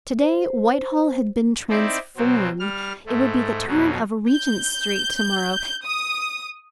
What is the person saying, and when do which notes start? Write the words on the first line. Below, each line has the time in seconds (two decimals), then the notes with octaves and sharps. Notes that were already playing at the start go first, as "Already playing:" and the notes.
Today Whitehall had been transformed: it would be the turn of Regent Street tomorrow.
0.20 C5
1.70 C4 D#4 E4 D5
2.17 B2 F#3 C4
2.59 G3 F6
3.06 G#2 A3
3.67 F2 B2 F#3
4.29 G6
5.85 D#6